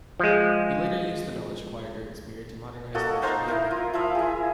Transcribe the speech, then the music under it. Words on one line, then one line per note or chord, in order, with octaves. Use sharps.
He later used the knowledge acquired during this period to modernise the Russian navy.
F3 G#3
A#3 F#4 A4 D#5
D#4 C5 F5 A#5
E4 A#4
F4
F3 E4 E5 F5
E4 G#4